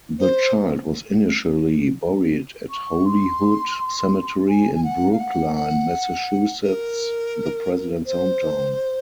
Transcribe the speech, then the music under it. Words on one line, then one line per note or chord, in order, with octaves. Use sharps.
The child was initially buried at Holyhood Cemetery in Brookline, Massachusetts, the president's hometown.
C5
C#6
C6
G#5
G#5
F#5
F5
F#5
F#5
A#4
C5